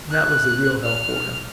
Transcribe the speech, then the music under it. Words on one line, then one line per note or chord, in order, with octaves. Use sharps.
And that was the real hell for him.
F#6
F6